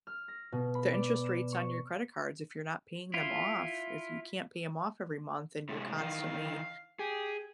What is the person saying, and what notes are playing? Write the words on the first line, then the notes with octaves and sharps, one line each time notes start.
the interest rates on your credit cards if you're not paying them off if you can't pay 'em off every month and you're constantly
F6
A#6
B2
B5
D5
E7
C#6
E4 F4
A2 C3 G#3
D#3 E3 D#4 F5
G4 G#4